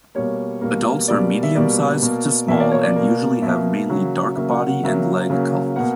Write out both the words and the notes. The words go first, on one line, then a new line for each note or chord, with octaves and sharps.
Adults are medium-sized to small and usually have mainly dark body and leg colours.
B2 G3 A#3 C#5
B2 G3 A#3
B2 G3 A#3 D5
E5
B2 G3 A#3 D5
B2 A#3
B2 A#3 E5
D5
C#5
D5
B2 A#3
B2 A#3 E5
C#3 F#3 A#3
C#3 F#3 A#3 E5
F#5
F#5
C#3 F#3 A#3 E5
C#3 F#3 A#3
B2 A#3 F#5